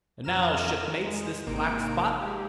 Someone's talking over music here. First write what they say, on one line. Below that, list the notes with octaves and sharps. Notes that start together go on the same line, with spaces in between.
And now, shipmates, this black spot?
F2 A#5 F6 E7
G#3
G#1 C3 A#3 D#4 D7
G#3 G4